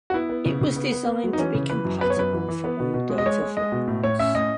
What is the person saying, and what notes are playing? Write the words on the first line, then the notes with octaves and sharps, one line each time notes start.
It was designed to be compatible for all data formats.
F#4
B3 E4
B3
C#3
C#3
B3
B3
B3
F#3
D#4
E3 C#4
C#3
E3 B4
F#2
B3 B4
C#5
F#2 B4
E3
E3
B3
B2
B2
G#3
D#5
G#3 C#5
G#3
G#3 D#5
B2
A2
A2 C#5
C#4 E5
A2 D#5